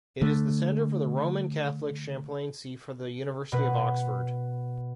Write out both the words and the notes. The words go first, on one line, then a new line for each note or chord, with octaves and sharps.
It is the centre for the Roman Catholic chaplaincy for the University of Oxford.
D3 A3
B2 B4